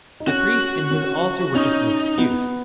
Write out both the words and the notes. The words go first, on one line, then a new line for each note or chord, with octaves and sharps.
The priest and his altar were just an excuse.
D#4
C#4 F#4
C#4
C#4 D#4
B3